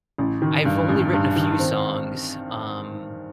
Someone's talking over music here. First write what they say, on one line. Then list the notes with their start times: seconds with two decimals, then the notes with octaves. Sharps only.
I've only written a few songs. Um,
0.18 A1
0.42 D#3
0.65 G2
0.89 A1
1.13 G2
1.36 D#3
1.59 C4